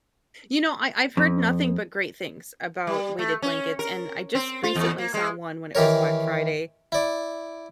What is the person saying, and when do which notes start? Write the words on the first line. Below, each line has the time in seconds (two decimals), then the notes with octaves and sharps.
You know, I I've heard nothing but great things about weighted blankets, and I just recently saw one when it was Black Friday,
1.17 F2
2.87 G3
3.19 A3
3.42 C#4
3.79 A#4
4.35 C4
4.63 F4
4.75 E2
4.98 A#3
5.14 G#3
5.75 D#3 E3 G4 A#4 C#5
6.92 E4 D5